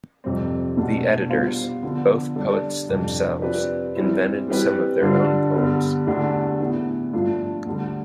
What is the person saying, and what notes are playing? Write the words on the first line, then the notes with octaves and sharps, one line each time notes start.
The editors, both poets themselves, invented some of their own poems.
F2 C3 G3 C4
E2 B2 A3 D4 A4
G3 B3 F4 C5 F5
D3 F3 B3 F4
G3 D4 A4 D5
F2 C3 G3 D4
F3 C4 G4 B4 D5
E3 G3 C4 E4
E3 G3 C4 G4 B4
G2 D3 G3 D4 F4
G2 D3 G3 B3
E2 D3 A3 D4 G4
A2 E3 B3
G2 F3 A3 D4 F4
D2 D3 G3